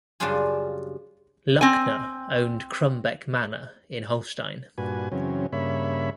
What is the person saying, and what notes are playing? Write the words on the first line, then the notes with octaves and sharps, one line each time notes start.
Luckner owned Krummbek Manor in Holstein.
F#2 C#3 G3 D4 F4 G#4
C4 G#5
G2 A#2 F#4 B4 G#5
F#2 C#3 E3 F#3 C4 C#4
G2 C#3 A#3 C#5 E5 B5